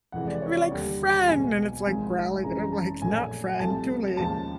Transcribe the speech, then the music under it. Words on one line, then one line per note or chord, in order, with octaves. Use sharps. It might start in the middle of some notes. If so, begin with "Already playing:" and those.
"We're like friend," and it's, like, growling and I'm like, "Not friend, too late,"
F1 F2 C3 E3 G#3 F#5
D5
C#5
D5
D#2 D3 G3
B1 B2 G#3 G#5
G#1 G#2 F3 G#3
F#2 C#3 E3 G#3 A#5
A5
A#1 A#2 F#3 A3 G#5
C2 C3 F3 A3 A5
D#2 C#3 F3 G#3 A5